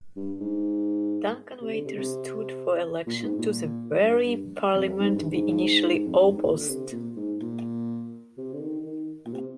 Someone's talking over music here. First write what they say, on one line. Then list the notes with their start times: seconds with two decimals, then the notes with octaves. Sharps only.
Duncan later stood for election to the very parliament he initially opposed.
0.16 G2
0.40 G#2
1.61 C3
1.73 D3
1.85 C3
1.97 C3
3.06 A#2
3.23 G#2
3.38 A#2
4.03 G2
4.27 G2
4.75 F2
5.00 G#2
5.15 G2
5.32 G#2
6.07 F2
6.19 G2
6.32 G#2
6.44 A#2
6.58 D3
6.68 C3
6.92 A#2
7.16 G#2
7.41 A#2
8.38 C3
8.53 D3
8.61 D#3
8.86 D#3
9.26 A#2
9.34 C3